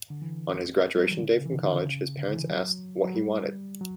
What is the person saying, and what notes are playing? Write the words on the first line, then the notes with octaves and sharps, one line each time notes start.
On his graduation day from college, his parents asked what he wanted.
D3
E3
G3
F#3
E3
D3
C#3
E3
D3
D3
C#3
D3
E3
F#3
F#3
G3
F#3